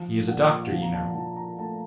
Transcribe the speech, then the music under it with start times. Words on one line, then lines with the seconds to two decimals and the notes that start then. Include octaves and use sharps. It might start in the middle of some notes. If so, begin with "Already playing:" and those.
He is a doctor, you know.
Already playing: F3 F5
0.28 A#2 F#5
0.72 F3
0.82 A#5
0.94 A5
1.15 F3 A5
1.36 A#5
1.58 A3 A5